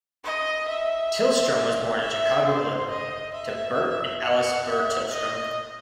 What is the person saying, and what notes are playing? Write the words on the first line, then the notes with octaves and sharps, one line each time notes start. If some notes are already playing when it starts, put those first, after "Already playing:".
Tillstrom was born in Chicago, Illinois, to Bert and Alice Burr Tillstrom.
D#5
E5
E5
C5
D#5
E5
F#5
E5
D#5